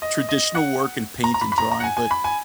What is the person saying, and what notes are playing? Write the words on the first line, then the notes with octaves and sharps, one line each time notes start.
traditional work and paint and drawing, but
D#5
D#5
F#5
A#5
A#5
B5
B5
A#5
A#5
F#5
G#5
G#5
B5
G#5